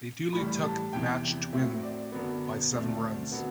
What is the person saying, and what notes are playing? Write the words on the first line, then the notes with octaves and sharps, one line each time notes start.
They duly took the match to win by seven runs.
A2 E3 G3 B5
A5
E2 C3 E3 G5
A2 F#3 C4 E5
D5
F#2 D3 F#3 B3
D2 D3 A3 C4
D3 F#3 B3 F#5